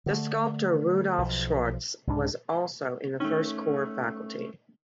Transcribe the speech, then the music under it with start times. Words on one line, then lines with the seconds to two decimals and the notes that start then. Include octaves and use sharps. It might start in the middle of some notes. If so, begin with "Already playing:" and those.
The sculptor Rudolph Schwarz was also in the first core faculty.
0.06 D3 A3
1.18 B1 F3
2.07 C2 G#2 D4
3.20 D#3 A3 C#4